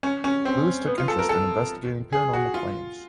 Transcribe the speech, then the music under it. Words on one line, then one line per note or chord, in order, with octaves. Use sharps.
Lewis took interest in investigating paranormal claims.
C#4
C#4
C4
B3
F4
A4
A#4
A4
G#4
F#4
F4